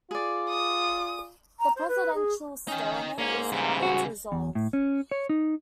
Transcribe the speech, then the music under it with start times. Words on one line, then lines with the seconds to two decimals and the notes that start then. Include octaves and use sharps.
The presidential stalemate was harder to resolve.
0.11 F4 G#4 D5
0.49 D#6
1.59 A#5
1.75 C5
1.88 B4
2.14 G#4
2.68 C#4 D#4 G5
3.18 G#2 A#3 C#4
3.52 C#3 E3 G3
3.83 D#2 F#4
4.32 E2
4.55 A2
4.73 C#4
5.11 C#5
5.29 D#4